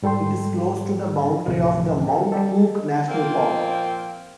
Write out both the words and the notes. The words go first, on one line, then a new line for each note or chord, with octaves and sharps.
It is close to the boundary of the Mount Cook National Park.
G#2 G3 A4 G5 C6
D2 A2 C3 E3 F3 A3
G4 A4
G3 G4 A4
A#2 F3 A#3 C4 F4 G5